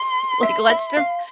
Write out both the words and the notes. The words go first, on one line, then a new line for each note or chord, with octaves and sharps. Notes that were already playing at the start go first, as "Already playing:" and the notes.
like, let's just
Already playing: C6
E5
E5
F5